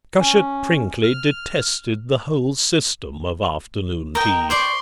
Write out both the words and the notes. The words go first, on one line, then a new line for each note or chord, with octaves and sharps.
Cushat-Prinkly detested the whole system of afternoon tea.
C#4
F6
A#4 D#5 G5
C5 D5 C6 C#6